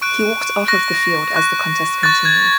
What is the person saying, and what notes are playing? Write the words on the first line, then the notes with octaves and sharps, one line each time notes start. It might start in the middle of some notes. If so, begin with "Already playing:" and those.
He walked off of the field as the contest continued.
C#6 F#6 D7
C#6 F#6 A#6
C#6 F#6
C#6 F#6 A6
G#6